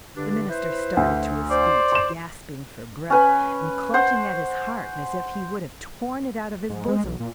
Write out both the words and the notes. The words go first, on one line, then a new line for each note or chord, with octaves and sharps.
The minister started to his feet, gasping for breath, and clutching at his heart, as if he would have torn it out of his bosom.
G2 D3 D4
E4 B4 C5
D2
C5 D5
C6 E7
C#4 B4 G#5
C5 F#5
G#2
G#3
B1
A#2